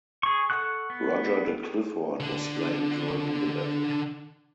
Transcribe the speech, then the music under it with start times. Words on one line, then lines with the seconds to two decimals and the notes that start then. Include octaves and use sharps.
Roger de Clifford was slain during the battle.
0.23 G#4 C#6
0.50 A4 F#5 C#6 F#6
0.90 B3
2.20 D3 D4